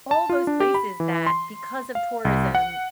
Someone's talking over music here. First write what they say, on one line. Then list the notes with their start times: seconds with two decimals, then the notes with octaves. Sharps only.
all those places that because of tourism
0.11 A5
0.30 F4
0.47 D4
0.60 G4
0.74 B5
1.00 E3
1.27 C6
1.95 F5
2.25 C2
2.55 F#5